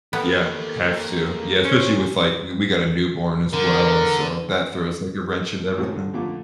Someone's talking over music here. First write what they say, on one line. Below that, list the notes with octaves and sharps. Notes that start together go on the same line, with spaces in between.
Yeah. Have to. Yeah, especially with, like we we got a newborn as well and, so, that throws like a wrench into everything.
A#3 B3 G4 A4 F6
C#4 C5
D3 A#4
B2
C#2 F#2 A2 C3 D#3 C#6
D3
F2 A#2 D3 A3 D6